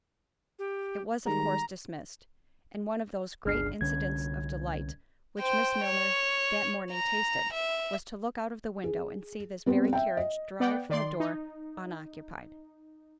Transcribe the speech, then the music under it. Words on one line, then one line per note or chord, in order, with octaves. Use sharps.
It was of course dismissed--and one of those great incidents of delight which Miss Milner that morning tasted, was to look out of the window, and see this very carriage drive from the door unoccupied.
G4
D#3 G3 G#3 A#5
G1 C#2 D4 G#4 F6 C7
C2 D3 C#4 G#6
C5 G5
C#5
A#5
E5
G#4
G3 B3 C4
E5 G5
D#5
B3 D5 F#5 G5
D#3 D5 C6
D#4